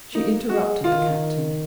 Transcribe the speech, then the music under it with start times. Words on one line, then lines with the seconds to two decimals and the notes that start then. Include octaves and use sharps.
She interrupted the Captain.
0.14 A#3 D#4
0.49 G#3 F#4
0.84 D#3 F4